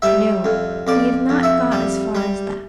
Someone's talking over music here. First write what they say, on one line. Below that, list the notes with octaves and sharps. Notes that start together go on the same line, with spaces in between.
No; we have not got as far as that.
G3 E5
F2
F2 D5
F2
E5
G3
G3